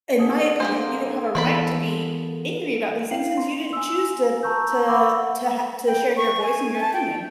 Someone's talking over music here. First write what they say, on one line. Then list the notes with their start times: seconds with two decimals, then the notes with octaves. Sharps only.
in my opinion, you don't have a right to be angry about these things, 'cause you didn't choose to to to ha to share your voice and your opinion.
0.19 D3 G#4
0.60 A#3 D4 G4 C5
1.35 E3 A#3 B3 A4 B5 C6
3.11 E4 F5 G5 C7 F#7
3.37 C6
3.73 G#5 E6
4.43 A5 A#5 C#6 E6 G6
4.87 F5 F#5 B5 C#6 D6 E6
5.87 G5
6.17 C#6
6.43 G#5
6.80 A5
6.93 G5